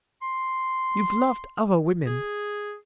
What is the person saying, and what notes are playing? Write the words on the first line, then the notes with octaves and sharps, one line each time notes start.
You've loved other women.
C6
G#4